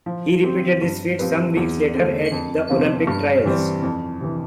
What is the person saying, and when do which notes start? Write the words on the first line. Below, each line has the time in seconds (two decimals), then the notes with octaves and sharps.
He repeated this feat some weeks later at the Olympic Trials.
0.06 F3
0.43 C4 G4 C5
0.81 G2
1.19 F3 C4 G4 B4
1.57 E2
1.94 D3 A3
2.32 F2
2.70 C3 F3 B3 F4
3.07 G2
3.45 E3 G3 C4
3.83 F2
4.21 C3 E3